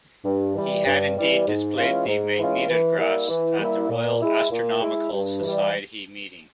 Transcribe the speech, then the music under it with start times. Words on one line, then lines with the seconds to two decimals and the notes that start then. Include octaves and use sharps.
He had indeed displayed the magnetographs at the Royal Astronomical Society meeting.
0.24 G2
0.55 E3 G3
0.86 G2
1.16 E3 G3
1.46 G#2
1.77 E3 G#3 C#4 F4
2.07 G#2
2.38 E3 G#3 C#4 F4
2.67 E3
2.98 G3 A#3 E4
3.29 E3
3.59 G3 A#3 E4
3.89 A#2
4.20 G#3 E4
4.50 A#2
4.80 G#3 E4
5.11 G2
5.41 E3 G3